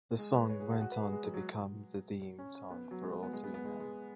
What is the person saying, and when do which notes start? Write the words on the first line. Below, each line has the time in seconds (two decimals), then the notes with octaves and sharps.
The song went on to become the theme song for all three men.
0.18 G#3
0.34 B4
0.50 C#5
0.60 G#4
0.71 F#4
0.81 F#4
0.91 B4
1.02 G#4
1.12 G#3
1.23 F#3
1.34 F#3
2.39 C#4
2.70 B3
2.91 F#3
3.02 G#3
3.12 G#3
3.23 B3
3.33 G#3
3.44 B3
3.54 B3
3.65 G#3
3.80 G#3